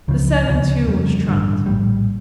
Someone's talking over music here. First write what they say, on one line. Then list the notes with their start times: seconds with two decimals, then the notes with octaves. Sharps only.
The seven too was trumped.
0.08 C#2 C#3 F3
0.47 D2 C#3 F3
0.87 F2 C#3 G3
1.27 A1 G2 D3
1.66 A#1 A2 G3